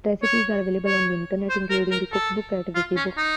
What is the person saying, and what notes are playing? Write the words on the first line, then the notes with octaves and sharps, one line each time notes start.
Recipes are available on the Internet, including the cookbook at Wikibooks.
C#5
C#5
C5
A#4
A#4
A4
F4
C#4
D#4